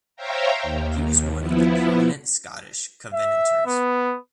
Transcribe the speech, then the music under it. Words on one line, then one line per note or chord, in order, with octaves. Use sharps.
He was one of the prominent Scottish Covenanters.
C5 C#5 E5 F5 G5 A#5
D#2
F3 B3 E4
E5
B3